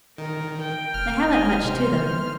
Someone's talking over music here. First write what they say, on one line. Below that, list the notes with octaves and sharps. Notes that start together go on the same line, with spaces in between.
They haven't much to them.
D#3 A#4
G5
F1 F6
D#5 G#5
C3 B3 C5
D3